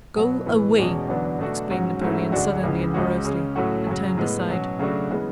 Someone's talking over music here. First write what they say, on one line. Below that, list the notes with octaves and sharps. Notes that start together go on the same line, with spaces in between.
"Go away..." exclaimed Napoleon suddenly and morosely, and turned aside.
B2 F#3 B3
A2 E3 B3
E2 B2 G#3 C#4
E2 D3 F#3 B3 D4
B2 A3 D4 F#4
G#2 F#3 C#4 F#4
G#2 F#3 A3 C#4 E4
D2 D3 G#3 D4 F#4
C#2 C#3 E3
C#2 C#3 G#3 C#4 F#4
C#3 G#3 C#4
A2 F#3 A3 C#4 F#4
F#2 C#3 F#3
A2 G#3 B3
B2 F#3 C#4
C#3 F#3 A3 D4 F#4
C#3 E3 G#3 B3